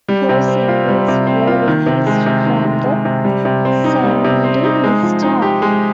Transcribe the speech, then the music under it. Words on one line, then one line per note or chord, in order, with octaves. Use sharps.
Four singles were released from the Sandinista!
G3
C3
C4
F4
G3
C3
C4
F4
D#3
C3
G#3
C3
D#3
C3
G#3
C3
G3
C3
C4
D#4
G3
C3
C4
D#4
G#3
F3
D#4
G4
G#3